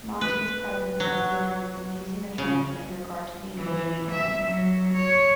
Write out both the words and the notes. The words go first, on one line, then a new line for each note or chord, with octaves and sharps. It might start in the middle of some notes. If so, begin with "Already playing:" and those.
"Monty's" presence succeeded in confusing the Germans in regard to the invasion plans.
B4
F#3
C#3
E3
E5
F#3
C#5